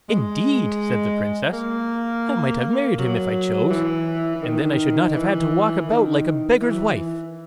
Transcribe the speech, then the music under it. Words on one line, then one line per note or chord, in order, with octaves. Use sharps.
'Indeed!' said the Princess; 'I might have married him if I chose, and then I should not have had to walk about like a beggar's wife.'
G#3
A#3
F#3
E3
E3
D#3
E3
D#3
E3
E3